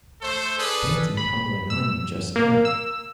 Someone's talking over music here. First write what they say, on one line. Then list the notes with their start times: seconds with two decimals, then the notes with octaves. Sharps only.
Fancy tumbling on you just now!
0.22 A3 A4 C5
0.58 D4 G#4 A4 B4
1.17 B5
1.70 E6
2.36 A#3
2.65 E6